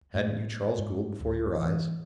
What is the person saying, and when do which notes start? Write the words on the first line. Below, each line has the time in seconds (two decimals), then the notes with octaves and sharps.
Hadn't you Charles Gould before your eyes?
0.15 A2
0.78 G#2
1.20 D1
1.56 E3